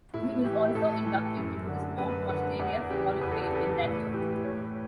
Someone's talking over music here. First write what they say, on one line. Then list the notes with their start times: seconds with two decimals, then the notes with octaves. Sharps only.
He was also inducted into the Sport Australia Hall of Fame in that year.
0.14 A2 E4
0.44 E3 G4
0.75 A2 A4
1.06 E3
1.37 F#2
1.67 D3
1.98 F#2 B4
2.29 D3 F#5
2.59 E2 F#5
2.90 C#3 E3 G4
3.21 E2 B4
3.32 A4
3.43 G4
3.51 C#3 E3 A4
3.83 A2 B4
4.13 E3 G4
4.44 A2 C#5